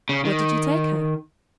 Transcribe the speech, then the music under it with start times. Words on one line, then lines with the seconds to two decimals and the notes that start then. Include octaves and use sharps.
'What did you take her?'
0.09 C#3
0.25 D#3